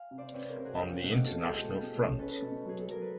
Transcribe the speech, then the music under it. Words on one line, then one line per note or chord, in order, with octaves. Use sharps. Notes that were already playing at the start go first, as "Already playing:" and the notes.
On the international front.
Already playing: F5 G#5
C3
C5 D5
C4 B4 C#5
A#4 C5
C3
F#4 G#4
C#4 F4 G4
B2 E4 F#4
B2 A4
G#4
G#3 G4 A4
B2
C#4
C#4 A4 B4
B2
F#3 G#4
A4
F#3 A#4
B4